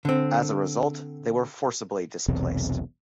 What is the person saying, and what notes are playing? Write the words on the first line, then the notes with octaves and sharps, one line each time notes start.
As a result, they were forcibly displaced.
D3 C4
E1 B1 E2 C3